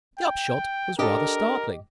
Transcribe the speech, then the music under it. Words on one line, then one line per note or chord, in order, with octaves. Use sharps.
The upshot was rather startling.
G5
D4 G4 A4 A#4 D#5